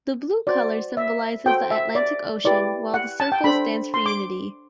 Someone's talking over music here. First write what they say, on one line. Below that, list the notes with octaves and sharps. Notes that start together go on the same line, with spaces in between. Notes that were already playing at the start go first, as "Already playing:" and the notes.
The blue colour symbolizes the Atlantic Ocean, while the circle stands for unity.
F#4 C5 D5
E5
F#4 A4 C5 G5
E5
D5
E4 G4 B4 D5
F#5
A5
G5
D4 A4 C5 B5
C6
D6